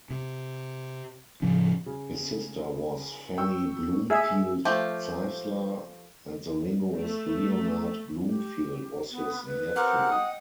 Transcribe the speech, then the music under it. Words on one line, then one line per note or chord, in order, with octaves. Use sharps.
His sister was Fannie Bloomfield Zeisler, and the linguist Leonard Bloomfield was his nephew.
C3
A2 C#3 F3 C#4
C#3
G5 C#6 E6
G#4 E5 E6
F3 A3 G4
A3
G4
B3
B4
C4 G4 A#4 F#5
D#5 G5 D#6